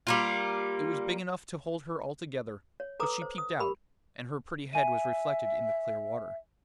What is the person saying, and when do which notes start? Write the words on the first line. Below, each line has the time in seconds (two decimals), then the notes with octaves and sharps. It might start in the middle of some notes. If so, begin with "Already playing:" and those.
It was big enough to hold her altogether, but she peeped out, and her pretty head was reflected in the clear water.
0.07 G3 A#3 F4
2.80 C#5
3.00 A4 B4 A#5 D6 D#6
3.22 C5
3.38 D#6
3.59 G4 A#4 B5
4.73 E5 G#5 D#7